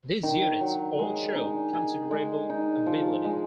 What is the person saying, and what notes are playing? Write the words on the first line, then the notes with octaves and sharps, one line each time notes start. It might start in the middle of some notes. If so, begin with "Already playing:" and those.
These units all showed considerable ability.
D#3
F#3
G#3
D#4
G#4
G#3
D#4
F3
G#3